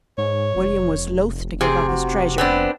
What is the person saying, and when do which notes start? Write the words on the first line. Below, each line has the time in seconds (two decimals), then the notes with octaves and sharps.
William was loth to give up his treasure.
0.18 G#2 C#5
0.56 F1
1.61 C3 G#4
1.88 F#4
2.38 B3 C4 D4